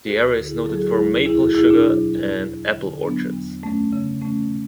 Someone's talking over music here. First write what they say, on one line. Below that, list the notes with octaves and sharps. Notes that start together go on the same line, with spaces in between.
The area is noted for maple sugar and apple orchards.
D2 F#4 A4
F#4 A4
D3
E4 G#4
F#3 A4
G#4
F#4
E4 G#4
D2
E2 E4 G#4
F#4 A4
B2 E4 G#4
D4 F#4
F#3
E2
E2
D3
F#3 B3 D4
E2
F#2 A3 C#4
C#3
E3 A3 C#4